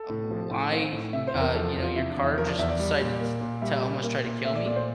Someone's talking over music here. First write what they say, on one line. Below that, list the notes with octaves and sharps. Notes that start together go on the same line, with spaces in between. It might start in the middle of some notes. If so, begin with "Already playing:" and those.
uh, why, uh, you know, your car just decided t to almost try to kill me?"
Already playing: A4
A2
F3
A2
C4 F5
A2
C3 E5
C5
E2
A#4
F3 A4
E2
F4
C3 E4
D4
E2
E4
F3 A#4
D5
E2 E5
D5
G3
A#2
A#3
A#2
G3 E5
A#2
A#3
A#2
A3 E5
D5
A#2 D5
C5